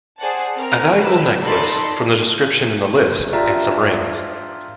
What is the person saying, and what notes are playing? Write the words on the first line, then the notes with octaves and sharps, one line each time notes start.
A valuable necklace, from the description in the list and some rings.
G#4 C5 D5 F#5 A5
C4 A#4 F6
G4 B4 E6
D#4 A4 D5 B5 C6
D4 F4 G4 D5 E5 A#5